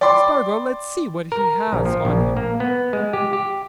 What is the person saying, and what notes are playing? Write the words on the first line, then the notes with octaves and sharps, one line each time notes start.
"Spargo, let's see what he has on him."
D5 G5 B5 C6 D6
A#4
A#1
F3
A#1
A#3
B3
G#3
G4
G4